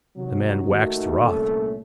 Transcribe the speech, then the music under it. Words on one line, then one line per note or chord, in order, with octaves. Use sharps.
The man waxed wroth.
C3 D#3 F#3
D#2 D#3 A3 D#4 F#4
C2 A#2 A3 C#4 A4